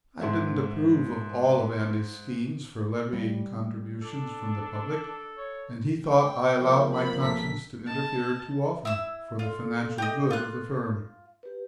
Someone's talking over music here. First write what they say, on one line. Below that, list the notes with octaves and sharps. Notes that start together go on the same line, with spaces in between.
I didn't approve of all of Andy's schemes for levying contributions from the public, and he thought I allowed my conscience to interfere too often for the financial good of the firm.
G#2 E5
G3
D4 A4
C#5
G5
F3 A#3
B5
A#1 A4 A#4 B6
D#5 A5
E4 E6
F4 A4 D5 F5
G4 A4 D#5
F4 F#6
G4 B4